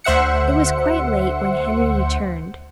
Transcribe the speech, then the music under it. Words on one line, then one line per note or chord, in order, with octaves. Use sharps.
It was quite late when Henry returned.
D2 C5 E5 F#5 C#7